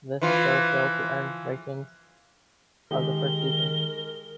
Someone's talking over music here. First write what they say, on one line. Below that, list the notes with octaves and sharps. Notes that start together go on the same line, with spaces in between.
This show failed to earn the ratings of the first season.
E3 F3 F4
D#3 G#3 D#4 G4 A#4 G7